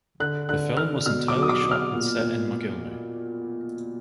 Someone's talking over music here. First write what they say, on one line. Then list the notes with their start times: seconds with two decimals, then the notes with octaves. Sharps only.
The film was entirely shot and set in Mogilno.
0.20 D3 F#6
0.49 D3 F#6
0.77 D3 F6
1.06 B2 F6
1.28 D6
1.36 F#3
1.42 D#6
1.49 D6
1.64 B2
1.71 F6
1.93 A#2
2.21 A#2